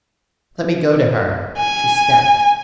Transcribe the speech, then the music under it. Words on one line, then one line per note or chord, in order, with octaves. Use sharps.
"Let me go to her." She stepped.
G#5